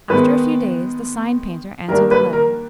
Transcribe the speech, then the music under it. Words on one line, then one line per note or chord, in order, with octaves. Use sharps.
After a few days the sign painter answered the letter.
D#3 G#3 B3 B4
D#3 G3 A#3 D4 A#4
B4
A#4